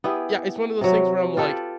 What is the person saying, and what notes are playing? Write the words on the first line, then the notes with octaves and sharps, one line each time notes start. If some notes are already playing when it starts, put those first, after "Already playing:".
Yeah, it's one of those things where I'm like,
B3 E4 G4 G#4
C3 F#3
F4 G4 A4 B4